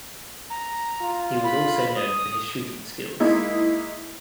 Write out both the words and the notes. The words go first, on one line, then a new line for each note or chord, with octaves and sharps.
He was also known for his shooting skills.
A#5
F4
B5
D#6
G#3 A#3 D#4 E4